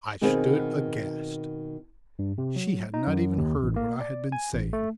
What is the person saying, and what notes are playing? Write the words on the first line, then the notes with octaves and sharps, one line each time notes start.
I stood aghast; she had not even heard what I had been saying.
B2 D#3 B3 C4 G#4
G2
C3
F#3
D#4
F#2
D#2
A1
A#3
D5
G#5
A1
A3